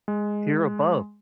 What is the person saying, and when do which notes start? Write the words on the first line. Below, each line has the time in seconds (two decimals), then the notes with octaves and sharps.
here above,
0.08 G#3